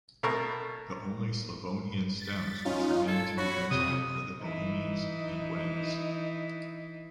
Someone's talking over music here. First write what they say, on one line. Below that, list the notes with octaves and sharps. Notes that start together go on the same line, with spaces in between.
The only Slavonian stems which remain to be mentioned, are, the Bohemians and Wends.
B2 A3 A#4 C#6
A6 B6
C#4 D#4 F4
A4 G#6
F#4 C#5 B5
F2 C3 D#6
E3 D#4